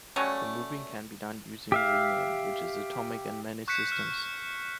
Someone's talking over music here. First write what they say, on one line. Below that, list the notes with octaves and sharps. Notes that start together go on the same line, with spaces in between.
The moving can be done using rename, which is atomic in many systems.
F#3 G3 A3 C#4
G4 E5 F5
C#6 F#6 G6 B6 C#7
F6